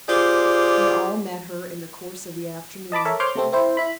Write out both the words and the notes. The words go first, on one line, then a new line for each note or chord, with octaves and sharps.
They all met her in the course of the afternoon.
F4 G4 G#4 C5 D5
D#5 A5 B5 D6
A4 A#4 C#5 E5
C5 C#5 C6 D6 F6 G6
C3 A3 C4
C4 E4 C5
E4 B5